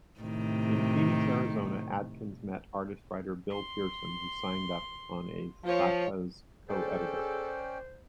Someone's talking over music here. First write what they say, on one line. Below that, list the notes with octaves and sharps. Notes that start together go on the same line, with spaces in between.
In Phoenix, Arizona, Adkins met artist-writer Bill Pearson who signed on as "Sata"'s co-editor.
A2 C3 D#3
C6
F3 F4 C#5
C#4 G#4 A4 C5 D5 G5